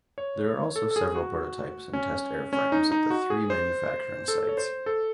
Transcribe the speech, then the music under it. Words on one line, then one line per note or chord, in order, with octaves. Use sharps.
There are also several prototypes and test airframes at the three manufacturing sites.
C#5
A4
A4
G#4
F#4
C#4
C#4
D#4
D#4
F#4
G#4
C5
A4
C#5
C5
A4